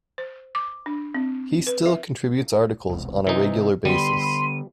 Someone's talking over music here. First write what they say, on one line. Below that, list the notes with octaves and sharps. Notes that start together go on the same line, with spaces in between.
He still contributes articles on a regular basis.
C5
D6
D4
C4
B4
E5
E1 C2
C3 E3 D#4
D3 G3 B3 B5 C6 D#7